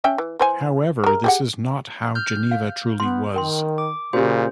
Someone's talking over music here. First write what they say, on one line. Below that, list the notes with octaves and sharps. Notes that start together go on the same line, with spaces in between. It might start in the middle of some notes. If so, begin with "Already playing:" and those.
However, this is not how Geneva truly was.
C#4 E5 G5
E3
E3 C5 G#5
G#3 A#4
G4 G#4 F#5
F6 G6
F5
B3 C6
D#3 A#4 G5 C6
D6
A#2 C#3 C#4 F#4 G4 C5